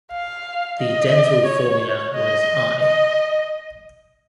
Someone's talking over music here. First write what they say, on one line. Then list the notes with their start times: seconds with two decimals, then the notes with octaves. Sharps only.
The dental formula was i.
0.12 F5
0.79 D#5
1.46 C#5
2.14 D#5
2.81 D#5